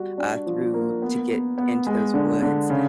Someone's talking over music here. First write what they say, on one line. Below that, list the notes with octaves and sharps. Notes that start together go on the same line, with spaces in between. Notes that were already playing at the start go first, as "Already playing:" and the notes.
uh, through to get into those woods,
Already playing: G3 F#4
D4
F3
A#3
B3
B3
B3
G#3
D3
D3
C#3